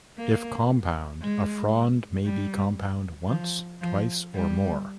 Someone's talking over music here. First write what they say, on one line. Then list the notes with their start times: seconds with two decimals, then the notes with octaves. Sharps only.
If compound, a frond may be compound once, twice, or more.
0.17 A#3
1.21 G#3
2.25 G3
3.28 F3
3.81 F3
4.33 G3